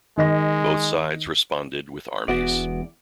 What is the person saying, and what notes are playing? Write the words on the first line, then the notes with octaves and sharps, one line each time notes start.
Both sides responded with armies.
D#3 G#3 D#5 A#6
E1 E2 B3 F#4 D5